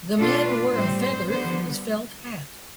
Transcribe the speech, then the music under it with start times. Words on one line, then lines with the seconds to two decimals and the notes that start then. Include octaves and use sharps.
The man wore a feather in his felt hat.
0.17 B2 A3 D4 F4 A4
0.44 B4
0.73 A2 G3 C4 C5
1.01 C5
1.29 D3 G3 B3 C5